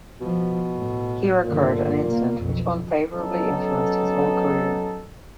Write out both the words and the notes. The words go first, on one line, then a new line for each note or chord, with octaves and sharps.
Here occurred an incident which unfavourably influenced his whole career.
B2 F3
A2
G1 A#2 D3
C3 A#3
B1 F2 B2
F#3 B3 C#4 D#4 A4